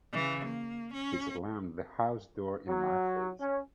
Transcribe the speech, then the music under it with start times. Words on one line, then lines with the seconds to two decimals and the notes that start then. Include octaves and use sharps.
He slammed the house door in my face.
0.13 C#3 E3
0.45 A#3
0.93 C#4
2.68 F#3
3.41 C#4